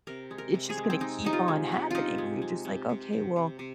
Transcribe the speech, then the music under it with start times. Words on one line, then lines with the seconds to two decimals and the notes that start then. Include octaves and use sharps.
it's just gonna keep on happening where you're just, like, "Okay, well,
0.07 C3 A#4
0.31 G#3
0.38 A#4
0.54 C3
0.70 G#4
0.77 G#3
0.90 C4
1.01 G#3 D#4
1.25 C3 D#4
1.33 F4
1.48 G#3
1.72 C3
1.91 C3 D#4 F4
2.18 G#3
2.42 G#3
2.65 C3
2.89 C3
3.13 C3
3.36 C3
3.59 C3